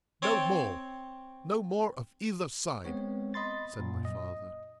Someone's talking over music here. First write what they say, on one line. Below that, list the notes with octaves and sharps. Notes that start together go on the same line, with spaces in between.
No more!--No more of either side, said my father.
C4 C#5 G5 A5
G#3 B3 C4 C#5
D#5 B5 C6 A6
F#2 A#2
D#5